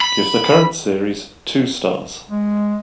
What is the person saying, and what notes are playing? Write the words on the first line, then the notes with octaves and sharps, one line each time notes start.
Give the current series two stars.
B5
G#3